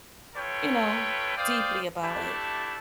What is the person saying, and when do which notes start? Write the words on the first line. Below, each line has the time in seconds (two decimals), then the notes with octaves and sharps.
you know, deeply about it.
0.35 F4 A4 B4 C#5 G5
1.37 C5 D5 F5 G5 D#6
2.02 A3 D4 E4 G4 A5